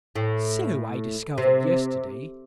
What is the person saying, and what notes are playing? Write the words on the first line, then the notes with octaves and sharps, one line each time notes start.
So I discovered yesterday.
A2
C3